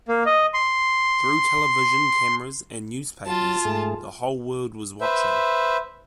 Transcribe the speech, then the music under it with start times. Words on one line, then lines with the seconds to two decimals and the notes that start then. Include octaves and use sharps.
Through television cameras and newspapers, the whole world was watching.
0.08 A#3
0.26 D#5
0.54 C6
3.26 F#3 F4 A5
3.65 G#2 A3 G#4
5.01 B4 C5 E5